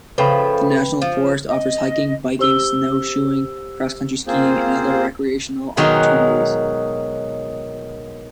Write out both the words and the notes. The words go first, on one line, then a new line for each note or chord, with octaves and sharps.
The national forest offers hiking, biking, snowshoeing, cross country skiing, and other recreational opportunities.
C#3 F3 A3 B4 G5 B5
F3
D#5
G4 C5 E6 G7
A#3 C4 F4 G#4 C5
B2 D#3 F#3 G#3 D#4 F#4